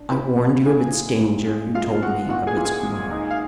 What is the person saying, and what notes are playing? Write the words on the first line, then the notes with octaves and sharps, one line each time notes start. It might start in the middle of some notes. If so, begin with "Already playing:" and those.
I warned you of its danger; you told me of its glory.
Already playing: D4
A#2 B4 B5
F#3
A#2 G#4 G#5
A#2
G#3
G#3
G#3 F4 F5
G#3 F#4 F#5
A#2 F#4 F#5
G#4 G#5
A#2
G#4 G#5
G#3
D#4
F5